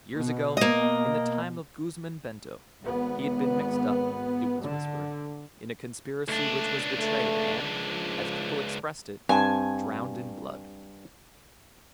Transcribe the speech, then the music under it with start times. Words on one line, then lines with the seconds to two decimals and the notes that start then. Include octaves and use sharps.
Years ago, in the time of Guzman Bento, he had been mixed up, it was whispered, in a conspiracy which was betrayed and, as people expressed it, drowned in blood.
0.14 B2
0.57 A#3 D#5
2.82 G#1 B3
4.63 D3
6.28 C#2 A3 D4
6.99 A3
7.66 F3
9.29 G2 C4 G#5 A5